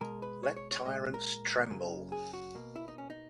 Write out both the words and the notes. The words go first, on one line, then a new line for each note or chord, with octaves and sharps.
Let Tyrants Tremble!
B2 G#3 A#4
B4
C#5
C#5
C#5
A#2 G#3 D#5
A#4
F#2 C#3 F#3 A#3
G#4
F#4
B2 A#3
E4
D#4
C#4
D#4